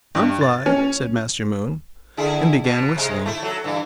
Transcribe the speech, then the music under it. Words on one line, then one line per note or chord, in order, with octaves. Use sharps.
"I'm fly," said Master Moon, and began whistling.
G2
A6
C#4
D3 E4 G#4
B2
C3 G#3
A3 E4
F#3 A4
G2 E3